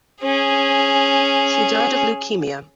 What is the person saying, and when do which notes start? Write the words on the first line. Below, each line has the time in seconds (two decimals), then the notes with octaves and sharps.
She died of leukemia.
0.24 C#4 G#4